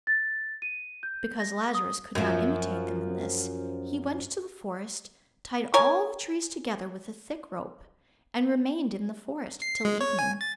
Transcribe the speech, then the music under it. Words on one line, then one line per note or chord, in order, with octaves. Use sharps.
Because Lazarus could not imitate them in this, he went to the forest, tied all the trees together with a thick rope, and remained in the forest till evening.
A6
D#7
G6
A#6
D#6
F#2 F3
A#4 C#5 G#5
C7
G#3
C#5
G#5
A6